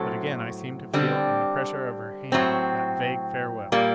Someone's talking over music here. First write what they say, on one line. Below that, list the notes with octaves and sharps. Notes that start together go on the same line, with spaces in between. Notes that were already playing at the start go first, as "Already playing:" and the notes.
But again I seemed to feel in the pressure of her hand that vague farewell.
Already playing: A2 F#3 C4 A4
D3 G3 C4
A2 F#3 C4
A#2 G3 A#3